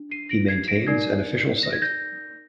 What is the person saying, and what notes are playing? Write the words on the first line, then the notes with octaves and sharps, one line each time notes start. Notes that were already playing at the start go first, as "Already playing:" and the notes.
He maintains an official site.
Already playing: D4
C7 D#7
A#6 D7
G#6 C7
A#6 D7
D#4 A#4 D5 G#6 C7
A#6
G#6
G6 A#6